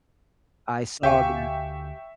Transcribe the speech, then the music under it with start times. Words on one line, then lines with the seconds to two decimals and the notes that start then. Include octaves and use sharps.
I saw that,
1.03 D2 G4 E5 F5 G5 G#5 C#6